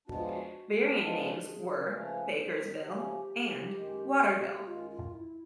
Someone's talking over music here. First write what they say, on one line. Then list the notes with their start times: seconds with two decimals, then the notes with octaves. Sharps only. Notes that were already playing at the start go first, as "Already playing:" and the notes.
Variant names were "Bakersville" and "Waterville".
0.07 F3 G#3 B3 D4 F#4
0.18 F4
0.29 F#4
0.85 G4
0.92 F#4
0.99 F3 G#3 B3 D4 F4
1.22 F#4
1.36 G4
1.45 G#4
1.68 A#4
1.91 C#3 F3 A3 C#4 B4
2.38 C5
2.83 C#3 F3 A3 C#4 G4
3.75 F#2 D#3 G#3
4.67 F#2 D#3 G#3 F4
4.90 F4
5.14 E4